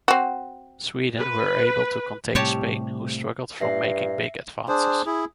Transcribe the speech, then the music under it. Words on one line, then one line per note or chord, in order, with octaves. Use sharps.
Sweden were able to contain Spain who struggled from making big advances.
C4 F#4
B4
A2 C3 G3 G4 C#5 A5
G2 E5 A#6 C7
D4 G#4 C5
E4 G#4